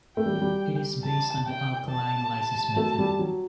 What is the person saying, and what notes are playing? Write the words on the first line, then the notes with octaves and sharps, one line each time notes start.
It is based on the alkaline lysis method.
A3 G5
G3
F#3
G3
A5
G5
A5
F#3 A3
G3
F#3